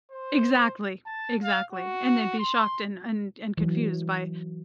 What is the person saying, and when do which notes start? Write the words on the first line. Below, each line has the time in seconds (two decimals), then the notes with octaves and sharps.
Exactly. Exactly. And they'd be shocked and and and confused by
0.11 C5
1.06 A5
1.43 F5
1.73 F#4
2.39 C6
3.58 E3 F#3